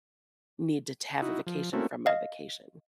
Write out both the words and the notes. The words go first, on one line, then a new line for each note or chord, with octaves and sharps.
need to to have a vacation from my vacation.
D#4 E4 F#4
F3
A3 A#3 C4 C#4 E4 F#4
D#5 F5